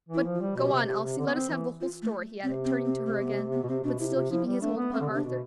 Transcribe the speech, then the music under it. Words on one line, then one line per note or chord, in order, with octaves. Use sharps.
"But go on, Elsie, let us have the whole story," he added, turning to her again, but still keeping his hold upon Arthur.
E3 E4
F3
F4
G3
B2 G4
C3
C3
C3
D3
B3
C4
E3
F4
A3
C3 C4
C4
C4
A3
B3
A3
B3
B2
C3 C4
B2 D4
C3 E4
E4
C3 F4
F3 E4
G3
A3 D4
B3
A3 C4
D3
C3
D4
B2